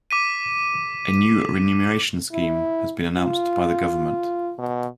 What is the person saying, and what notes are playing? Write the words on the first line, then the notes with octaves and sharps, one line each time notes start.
A new renumeration scheme has been announced by the government.
D6 B6 D#7
E4
F4
B2